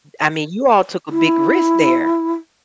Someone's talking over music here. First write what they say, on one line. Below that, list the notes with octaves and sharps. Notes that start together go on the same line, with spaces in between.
I mean, you all took a big risk there.
E4